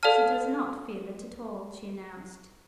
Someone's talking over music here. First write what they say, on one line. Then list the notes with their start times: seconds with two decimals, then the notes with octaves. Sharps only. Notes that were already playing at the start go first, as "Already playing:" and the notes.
"She does not feel it at all!" she announced.
0.03 A4 D5 F5 A5 F6